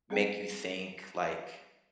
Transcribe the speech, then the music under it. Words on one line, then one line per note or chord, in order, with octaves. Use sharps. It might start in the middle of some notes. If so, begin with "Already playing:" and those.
make you think, like,
G3 C4 G#4 A4 D#5 G5